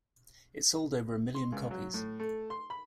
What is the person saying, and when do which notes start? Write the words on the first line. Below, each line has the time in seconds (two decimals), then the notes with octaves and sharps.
It sold over a million copies.
1.35 C6
1.52 C#2
1.71 F#3
1.94 A2
2.20 A3
2.50 C6
2.70 B5